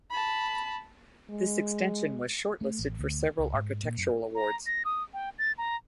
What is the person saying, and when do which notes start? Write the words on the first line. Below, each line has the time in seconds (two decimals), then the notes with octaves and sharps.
This extension was shortlisted for several architectural awards.
0.10 A5 B5
1.30 G#3
2.61 A3
2.79 A1
2.99 D2
3.39 C#2
3.53 G#2
3.83 A#2
3.98 F#2
4.35 A#5
4.66 A#6
4.85 D#6
5.14 G5
5.39 A6
5.58 A#5